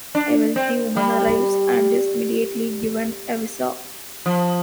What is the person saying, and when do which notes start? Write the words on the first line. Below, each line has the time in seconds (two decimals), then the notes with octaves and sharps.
A wealthy woman arrives and is immediately given a visa.
0.15 D4
0.56 C4
0.96 G3
4.26 F3